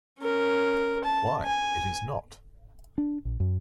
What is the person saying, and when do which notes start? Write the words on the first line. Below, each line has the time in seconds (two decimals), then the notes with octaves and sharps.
Why, it is not!
0.19 C#4 A#4
1.04 A5
1.45 G#5
2.98 D4
3.25 A#1
3.40 F#2